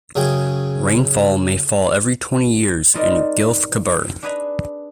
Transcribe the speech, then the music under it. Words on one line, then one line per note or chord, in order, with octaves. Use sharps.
Rainfall may fall every twenty years in Gilf Kebir.
F#2 C#3 G#4 G5
G3 C4 D#4 A#4 D5
D4 G#4 B4 G#5 A#5 B5